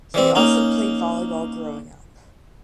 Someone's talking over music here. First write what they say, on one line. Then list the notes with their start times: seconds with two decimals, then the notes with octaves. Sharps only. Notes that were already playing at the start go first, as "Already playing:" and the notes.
He also played volleyball growing up.
0.14 E3 G3 C4
0.35 A#3 C#4 D#4